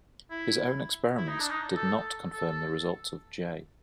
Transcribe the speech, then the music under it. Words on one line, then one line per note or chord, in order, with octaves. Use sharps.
His own experiments did not confirm the results of J.
E4
E4
D#4
D4
D#4
A4
A4